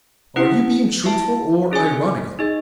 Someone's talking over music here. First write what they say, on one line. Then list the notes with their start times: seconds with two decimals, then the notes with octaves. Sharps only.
Are you being truthful or ironical?
0.36 C#4 E4 B4 F#5
1.03 E4 B4 E5 A5
1.71 C#4 G#4 C#5 G#5
2.39 D#4 G#4 D#5